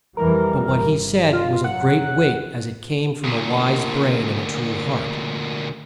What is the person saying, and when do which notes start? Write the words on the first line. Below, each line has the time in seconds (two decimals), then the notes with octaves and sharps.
But what he said was of great weight as it came from a wise brain and a true heart.
0.17 F2 E3 G3 A#4
0.73 G1
1.33 F4
1.64 F#2 F#3 F#5
3.24 D2 A#2